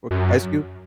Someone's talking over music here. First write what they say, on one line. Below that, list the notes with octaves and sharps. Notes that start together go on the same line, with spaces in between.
with Ice Cube?
F#2